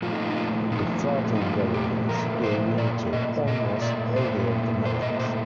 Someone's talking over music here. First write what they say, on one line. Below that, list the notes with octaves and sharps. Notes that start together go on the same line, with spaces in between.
The frightened government gave in to almost all their demands.
A#2 F3 A3 F4
D#4
F4
D#4
F4
A#2 F3 A3 D#4
D#4
A#2 F3 A3 F4
G4
A#2 F3 A3 A#4
C5
A#2 A3 D5
D#5
A#2 A3 D#5
D5
A#2 A3 C5
A#2 A3 C5
D#5
C5